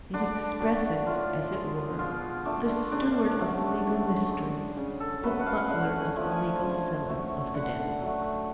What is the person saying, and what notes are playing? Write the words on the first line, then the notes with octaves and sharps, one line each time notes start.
It expresses, as it were, the steward of the legal mysteries, the butler of the legal cellar, of the Dedlocks.
D3 D4
F#3 A3
A2 F4
G#3
B2 F4
A3 D4
C#3 D4
F#3 A3
A2
G#3
C#3
A4
F#3 A3 B4
F#5
F5
D3 F#5
G#5
F3 A3
G#5
C#3
F#3 A3
D3 F#5
F#3 A3